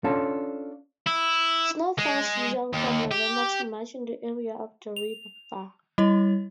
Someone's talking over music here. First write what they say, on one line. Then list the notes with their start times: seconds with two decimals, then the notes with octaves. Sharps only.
Snow falls usually from November to March in the area of the river.
0.04 C#4 D4 F4 A4
1.07 E4
1.99 G#3
2.73 D#2
3.11 G4
4.96 F7
5.98 G3 E4 C#5